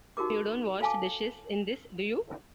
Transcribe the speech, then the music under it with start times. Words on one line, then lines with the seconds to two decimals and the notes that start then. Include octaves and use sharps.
You don't wash the dishes in this, do you?
0.17 D#4 F#4 G4 A#4 D6
0.81 A4 F5 G#5 A5 D6